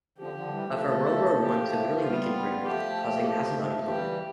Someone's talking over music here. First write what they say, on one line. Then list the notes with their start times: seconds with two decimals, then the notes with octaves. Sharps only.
However, World War One severely weakened Britain, causing massive unemployment.
0.18 D3 F3 G4
0.33 D3 F3
0.48 E3 G3
0.64 F3 A3
0.80 A4
1.41 G4
2.02 G3 B3 F4
2.64 F3 A3 G4
3.25 G4
3.86 E3 G3 G4